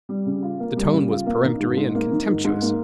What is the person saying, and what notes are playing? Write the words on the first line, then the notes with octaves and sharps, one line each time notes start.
The tone was peremptory and contemptuous.
G3
C#3
F4
A#3
G3
C#3
F4
A#3
D#3
G#2
G#2
A#3
D#3
G#2
G#2
A#3